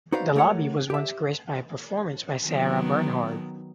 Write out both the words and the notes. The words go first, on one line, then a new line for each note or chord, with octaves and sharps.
The lobby was once graced by a performance by Sarah Bernhardt.
D#4 F#4 B4 C5 D5 F5
A3 G4 A#4 C#5 F#5
G4 E5
D#3 F#3 B3